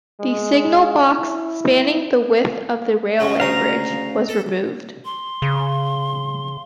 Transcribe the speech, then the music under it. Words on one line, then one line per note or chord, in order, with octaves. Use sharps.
The signal box spanning the width of the railway bridge was removed.
G#3
E4
C#3 F#3 C#4
D2 C#3 F5 A#5 D#6
A4
C6
C#3